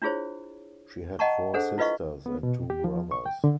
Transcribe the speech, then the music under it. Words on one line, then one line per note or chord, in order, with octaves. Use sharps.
She had four sisters and two brothers.
D4 E4 F4 G#4 C5 C#5
D#5 F#5 G5 A5 A#5 C#6
D4 G#4 A4 C5 F#5
E4 F4 B4 D#5 F5 C#6
B3
B2
G4
F3
C#6
G5
D3